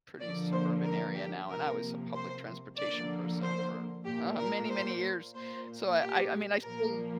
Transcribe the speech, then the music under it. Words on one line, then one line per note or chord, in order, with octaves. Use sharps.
pretty suburban area now and I was a public transportation person for, uh, many, many years. So I I I mean, I still
D3 F3 A#3 D5
C5
A#4
G4
C3 F3 A#3 A#4
C5
D3 F3 A#3 D5
C5
A#2 A#3 G4
A#4
C5
A#2 A#3 C5
G4
A#2 F3 A#3 A#4